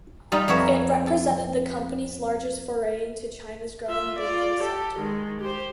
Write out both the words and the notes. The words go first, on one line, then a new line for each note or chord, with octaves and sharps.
It represented the company's largest foray into China's growing banking sector.
G3 D#4 F4
F2 B3 C#5 E5 A#5
A4
F4 E5
F4 D5
G4 A4
D#3 G#3
G4 C5